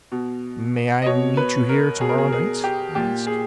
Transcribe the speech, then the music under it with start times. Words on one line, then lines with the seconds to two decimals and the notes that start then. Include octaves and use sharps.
"May I meet you here to-morrow night?" I asked.
0.12 B2
1.02 D#5
1.06 B2 C#5
1.37 B4
1.69 A#4
2.01 B2 G#4
2.09 A#4
2.18 G#4
2.28 A#4
2.33 G#4
2.64 G4
2.95 A#2 G4
3.27 G#4